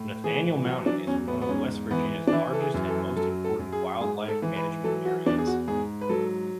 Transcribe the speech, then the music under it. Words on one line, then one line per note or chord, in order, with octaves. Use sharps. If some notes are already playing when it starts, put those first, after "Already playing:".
Nathaniel Mountain is one of West Virginia's largest and most important wildlife management areas.
Already playing: A2
E3 G#4
F#3 F#4
D4
E2 C#4
B3
B3
G#2 C#4
E3 B3
D4
E3 E4
A4
G#4
F#2
A4
F#3 A4
A4
F#2
G#4
G#2 G#4
A4
E3
B4
F#3 A4
F#4
E2 D4
G#4
F#4
G#2 G#4
B4
F#3 A4